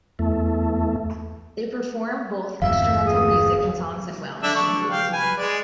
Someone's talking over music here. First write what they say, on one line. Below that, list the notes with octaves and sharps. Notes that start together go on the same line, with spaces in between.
They perform both instrumental music and songs in Welsh.
E2 A3
G1 E2 E5 F5
G#4 D#6
D3 D4 E5
D4 C#6
F5 G5
B4 G#5
G#3 D5